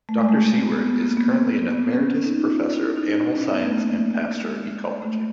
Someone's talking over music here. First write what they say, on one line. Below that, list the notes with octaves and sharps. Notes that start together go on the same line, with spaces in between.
Doctor Siewerdt is currently an Emeritus Professor of Animal Science and Pasture Ecology.
A3
G#3
A3
B3
B3
A#3
B3
C4
B3
C4
C#4
C#4
D#4
F4
F4
E4
D#4
D4
C#4
B3
A3
A#3
A3
G#3
A3